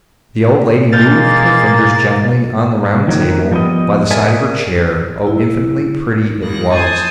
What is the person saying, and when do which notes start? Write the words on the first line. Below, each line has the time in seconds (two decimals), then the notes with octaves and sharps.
The old lady moved her fingers gently on the round table by the side of her chair,.. oh, infinitely pretty it was....
0.92 B2 G#3 A#3 F5 G6 A6
3.08 D#3 F3 F#3 A#3
3.51 F3 G3 A#3 B3 D#5
4.11 G#4 A#4 D5 E5 G#5 A5
5.27 E4
6.38 D#2 G#2 G3 A#3 F#6 A#6
6.73 C5 G#5 A5 D#6 G#6